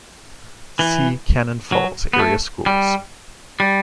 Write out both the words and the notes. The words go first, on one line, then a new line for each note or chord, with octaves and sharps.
See Cannon Falls Area Schools.
E3
F#3
B3
A3
G3
G3